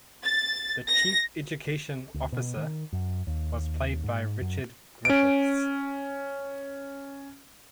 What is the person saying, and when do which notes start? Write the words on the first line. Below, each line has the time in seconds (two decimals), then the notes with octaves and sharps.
The Chief Education Officer was played by Richard Griffiths.
0.23 A6
0.89 A#6
2.14 D2
2.32 B2
2.57 D#3
2.93 F#2
3.27 D#2
4.04 G#2
4.42 F#2
5.05 C#4 D7